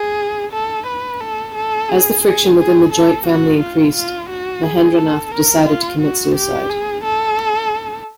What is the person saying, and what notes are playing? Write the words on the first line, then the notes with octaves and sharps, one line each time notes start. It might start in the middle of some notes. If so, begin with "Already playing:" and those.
As the friction within the joint family increased, Mahendranath decided to commit suicide.
Already playing: G#4
A4
B4
A4
A4
G#4
G#4
G#4
A4
F#4
F4
F4
F#4
G#4
A4
A#4
F4
F#4
G4
G#4
A4